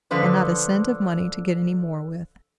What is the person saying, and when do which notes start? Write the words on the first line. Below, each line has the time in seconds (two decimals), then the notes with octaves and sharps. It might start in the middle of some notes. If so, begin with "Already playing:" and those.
And not a cent of money to get any more with!
0.11 D3 F3 B4 C5